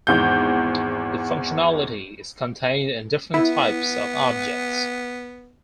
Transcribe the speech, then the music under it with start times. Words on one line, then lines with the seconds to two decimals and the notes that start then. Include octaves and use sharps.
The functionality is contained in different types of objects.
0.07 G#1 E2 G6
3.34 B3 E4